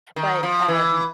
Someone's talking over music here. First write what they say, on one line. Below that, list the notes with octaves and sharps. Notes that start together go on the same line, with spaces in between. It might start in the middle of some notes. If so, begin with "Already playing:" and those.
but, um,
D#3
F3
E3